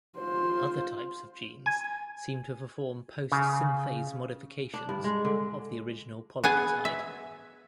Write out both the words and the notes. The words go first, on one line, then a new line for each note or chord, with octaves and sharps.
Other types of genes seem to perform post-synthase modifications of the original polyketide.
F4 C5
G#5
C#3
D4
G2
G#3
D3
B3 G#4 F#5 G#5
E5